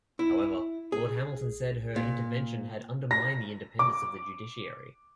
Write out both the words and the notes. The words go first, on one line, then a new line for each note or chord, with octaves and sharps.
However Lord Hamilton said her intervention had undermined the independence of the judiciary.
E4
G#4
A#2
A#6
D6